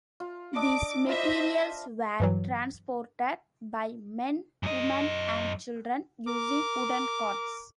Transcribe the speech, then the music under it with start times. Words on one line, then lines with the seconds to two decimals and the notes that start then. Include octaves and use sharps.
These materials were transported by men, women, and children using wooden carts.
0.20 F4
0.56 D4 D#5 D6 E6
1.06 E4 F4 C5 D#5 E5
2.20 G2 E3 F#3
4.63 F#2 D#5
6.27 A#4 D6